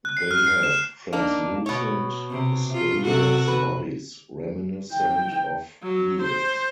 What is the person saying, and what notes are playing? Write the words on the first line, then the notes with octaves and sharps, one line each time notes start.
They have translucent, scaleless bodies reminiscent of eels.
F#6
C7
F6
C7
E7
A#3 D4 D#4
B2 C#5
C3
F4
C3 F#4 A4
B4
G5
F#3
C5